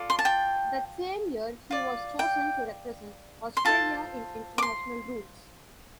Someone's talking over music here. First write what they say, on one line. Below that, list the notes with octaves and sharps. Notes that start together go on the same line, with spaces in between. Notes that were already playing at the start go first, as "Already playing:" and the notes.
That same year he was chosen to represent Australia in International Rules.
Already playing: F4 A4 D5
C6
A5
G5
F4 D5
G5
C6
F4 A4 C5 A5
D6
C6